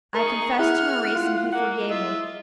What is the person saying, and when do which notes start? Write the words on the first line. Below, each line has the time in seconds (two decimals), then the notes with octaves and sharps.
I confessed to Maurice, and he forgave me.
0.15 D#4 G#4 A#4 C#6
0.59 E4 G#4 F#5 F6
1.15 F4
1.52 A#3 F#5
1.91 F4 D#5 E5